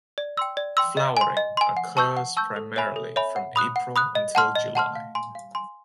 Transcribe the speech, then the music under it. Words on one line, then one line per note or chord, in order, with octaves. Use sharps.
Flowering occurs primarily from April until July.
D5
G5 C6 E6
D5
G5 C6 E6
D#5
G#5 C6
D#5
G#5 C6
F#5
A5 C#6 E6 G6
F#5
A5 C#6 E6 G6
A4
C#5 E5 G#5 B5
A4
C#5 E5 G#5 B5
F#5
B5 D#6 F#6
F#5
B5 D#6 F#6
D#5
F#5 A5 C6 F6
D#5
F#5 A5 C6 F6
F5
G#5 C6
F5
G#5 C6